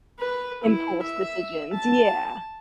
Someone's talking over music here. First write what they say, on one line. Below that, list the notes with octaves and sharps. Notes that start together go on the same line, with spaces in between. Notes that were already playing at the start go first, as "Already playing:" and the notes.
impulse decisions, yeah.
B4
E4
E5
A5